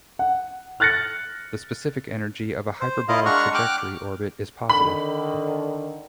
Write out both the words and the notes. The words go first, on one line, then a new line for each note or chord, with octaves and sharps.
The specific energy of a hyperbolic trajectory orbit is positive.
F#5
F6 F#6 A6 A#6 C#7
C5
E4 F4 A#4 D#5 F5
G#3 D4 F#5 A#5 C#6 F6
G5 D6 F6 F#6
D3 D#3 B5